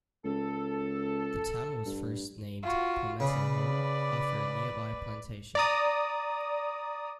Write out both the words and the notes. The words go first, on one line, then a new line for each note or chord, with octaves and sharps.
The town was first named Palmetto Home, after a nearby plantation.
C#2 A4
G2
F4 F#4
C#3 B4 D5
D5 A#5 D#6